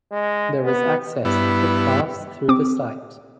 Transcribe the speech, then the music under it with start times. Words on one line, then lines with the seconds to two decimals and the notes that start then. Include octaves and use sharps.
There is access to footpaths through the site.
0.11 G#3
0.64 B3
1.25 G2 B3 E4
2.49 C4 D6